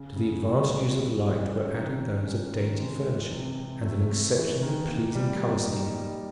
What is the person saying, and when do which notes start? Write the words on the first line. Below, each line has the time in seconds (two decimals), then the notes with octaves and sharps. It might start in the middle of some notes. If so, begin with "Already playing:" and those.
To the advantages of light were added those of dainty furnishing and an exceptionally pleasing color scheme.
Already playing: C#3
0.16 C#3
0.43 G3
0.69 C#2
0.94 C#2
1.22 G3
1.47 C#4
1.74 D#3
2.00 D#3
2.26 C#4
2.53 D#3
2.79 G#3
3.06 E3
3.31 C3
3.58 C3
3.83 A3
4.10 A3
4.37 E3
4.62 D#3
4.88 A#3
5.15 G3
5.42 A#3
5.67 D#4
5.95 G3